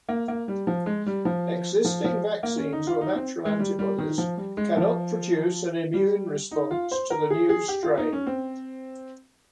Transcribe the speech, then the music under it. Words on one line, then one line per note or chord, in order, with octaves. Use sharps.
Existing vaccines or natural antibodies cannot produce an immune response to the new strain.
A#3
A#3
G3
F3
G#3
G3
F3
F3
F3
A#3
C#4
D#4
F4
D#4
C4
G#3
G3
G3
D#3
F3
G3
G#3
F3
G3
D#4
F4
C5
A#4
G#4
G#4
G4
F4
D#4
C#4
C4